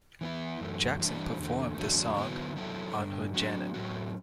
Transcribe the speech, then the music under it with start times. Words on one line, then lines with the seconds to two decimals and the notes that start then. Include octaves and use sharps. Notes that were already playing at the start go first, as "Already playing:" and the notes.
Jackson performed the song on her janet.
0.21 E3 B3 E4
0.60 F#2 E3 A3
0.99 E3 G3 D4
1.38 E2 D3 A3
1.77 E2 D3 F#3 A3 D4
2.17 D3 F#3 B3 E4 B4
2.56 F#3 C#4 E4 A4
2.95 G2 D3 G3
3.34 F#3 A3 D4 F#4
3.74 A2 F#3 C#4 F#4